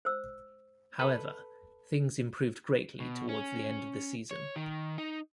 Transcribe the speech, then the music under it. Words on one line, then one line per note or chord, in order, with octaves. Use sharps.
However, things improved greatly towards the end of the season.
C5 E6
A4 B4
B2
C#4
C#5
D#3
D#4